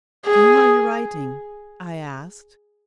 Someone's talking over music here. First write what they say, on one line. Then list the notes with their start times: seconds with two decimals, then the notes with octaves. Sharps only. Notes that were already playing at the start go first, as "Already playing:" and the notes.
"To whom are you writing?" I asked.
0.26 G#4